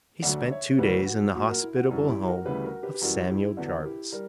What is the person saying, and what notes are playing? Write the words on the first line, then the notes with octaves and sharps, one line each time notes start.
He spent two days in the hospitable home of Samuel Jarvis.
D2 D3 F#3 D5 F#5
C#5 E5
D2 C#3 E3 G3 G4 B4
F#4
A#2 F#3 F#4
F#4 A#4
E4
F#4
F#2 E3 G3 F#4
E4 G4
F#4 A#4
D2 C#3 E3 G3 G4 B4
F#4 A#4
G4 B4
G4
F#2 E3 G3 F#4 A#4
E4 G4
E2 D3 F#3
A#4
E4 G4
G3 A#4